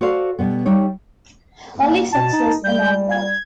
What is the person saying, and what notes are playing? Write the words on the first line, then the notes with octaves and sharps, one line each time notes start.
Early success and all that.
F#4 A4 C5 D5 F5
B2 G3 B3
G3 D#4 C#5
A#3
B2 A5
D#4
G3 G6
G#6